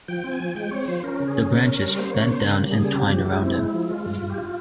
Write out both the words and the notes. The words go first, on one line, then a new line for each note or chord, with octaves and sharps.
The branches bent down and twined around him.
F3 G5
C4
G#5
F3
G#3 G5
C4 C#5
F3 C5
C#4 A#4
C#3
G#4
C#4
C#3 A#4
C#4
G3
A#3 C5
C#3 C#5
C#3 C5
A#3
G3
G#4
C#3
C3 G4
F3
G#3
C4 E4
G#3
F3
G#3 F4
G2
G2
G4
F4